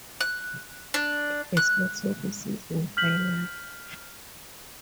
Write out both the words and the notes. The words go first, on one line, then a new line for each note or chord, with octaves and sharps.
It is also the season finale.
F#6
D4
F#6
F6 G6 B6 F#7